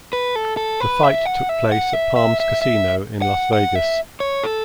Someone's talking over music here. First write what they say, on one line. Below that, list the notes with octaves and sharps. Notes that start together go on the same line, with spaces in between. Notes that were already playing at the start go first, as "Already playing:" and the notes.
The fight took place at Palms Casino in Las Vegas.
B4
A4
A4
B4
E5
F#5
E5
F#5
E5
E5
E5
E5
F#5
F#5
E5
C#5
A4